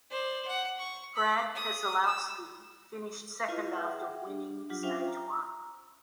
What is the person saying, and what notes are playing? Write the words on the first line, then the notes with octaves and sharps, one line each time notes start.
Brad Keselowski finished second after winning stage one.
C5 D5
F#5
C#6
B5
D#6
E6
E4 F4 B4 D#5 F5
G#4 E5 F#5 G5
D4
F#3 D4 F4 G4 F#5
C#4 F4 C5 E5 F5 G5
A#5